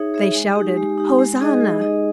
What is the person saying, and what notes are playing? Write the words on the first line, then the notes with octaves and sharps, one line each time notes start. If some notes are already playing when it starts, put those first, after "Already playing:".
They shouted, "Hosanna!"
Already playing: D#4 G#4 C#5 E5
G#4 C#5 E5
G#3
D#4 G4
G#3
D#4 G4
G#3
D#4 G#4 D#5
G#3
D#4 G#4 D#5